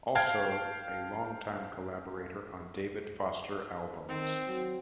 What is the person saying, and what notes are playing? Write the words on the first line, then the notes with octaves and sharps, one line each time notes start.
Also a long time Collaborator on David Foster albums.
F5 G5 A5 F6 G#6
D#3 C4
F#3